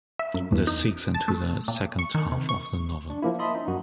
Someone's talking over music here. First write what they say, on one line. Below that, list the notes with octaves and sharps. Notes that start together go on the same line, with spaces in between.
This segues into the second half of the novel.
E5
F#2
E2
D#4
D7
A5
A3
A#2
C#6
D#3
C3
C#6
D4
F3 A#3 E4
D#5 E5 A5 B5 C6 D#6
C#4 D#4
F#2 F#4